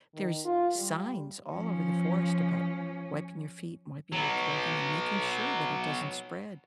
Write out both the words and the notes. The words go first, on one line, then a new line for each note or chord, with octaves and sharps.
There's signs all over the forest about wiping your feet, wiping your clothing, and making sure that it doesn't spread.
D#3
F4
G3
F3 C#4
F#3 B3